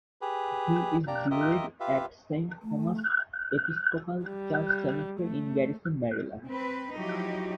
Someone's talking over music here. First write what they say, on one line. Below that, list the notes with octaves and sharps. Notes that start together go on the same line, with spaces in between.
He is buried at Saint Thomas' Episcopal Church Cemetery in Garrison, Maryland.
G4 G#4 B4
A#3 D4 G4 D5 A#5
F4 G4 A#4 D#5 E5
F4 G4 B4 E5 F5
A3
G3
A3
C4 B4
F3 F#3 D#4 E4 F#4 G4